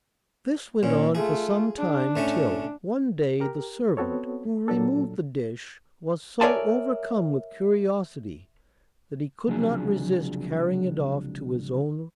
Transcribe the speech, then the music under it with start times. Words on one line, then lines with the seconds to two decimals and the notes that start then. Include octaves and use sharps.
This went on for some time till, one day, the servant who removed the dish was so overcome with curiosity, that he could not resist carrying it off to his own room.
0.83 A#2 C#4
1.15 A3 F4 G#4
1.78 D4
2.16 A2 A3 C#4
3.40 G4 A#4
3.97 B3 C4 F#4 A4 C#5
4.68 A#2 F#3 D4 A4
6.41 A#4 C#5 D5 E5 G#5 A5
9.47 C#2 C3 F3 F#3 D4 G#4